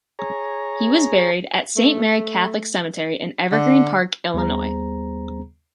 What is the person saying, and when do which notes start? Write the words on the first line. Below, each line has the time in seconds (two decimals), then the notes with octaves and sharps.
He was buried at Saint Mary Catholic Cemetery in Evergreen Park, Illinois.
0.19 G#4 C#5 A#5
1.77 A3
3.52 D3
4.34 D#2 G3 B3 G#4 C5 A#5